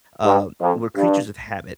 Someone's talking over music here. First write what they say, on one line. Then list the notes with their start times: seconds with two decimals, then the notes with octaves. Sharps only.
uh, we're creatures of habit,
0.24 G2
0.60 F2
0.95 G2